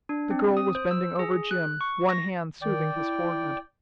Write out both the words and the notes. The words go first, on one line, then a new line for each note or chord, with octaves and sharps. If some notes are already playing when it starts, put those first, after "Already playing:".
The girl was bending over Jim, one hand soothing his forehead.
D4
C4
D#6
C5
E6
G#4
F#6
C#6
A#6
D#3 D5 G5
E4